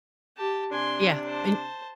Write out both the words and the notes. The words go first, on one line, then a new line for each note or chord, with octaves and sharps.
Yeah, and
G4 A5
C3 D4 G#5 C6
C5 A5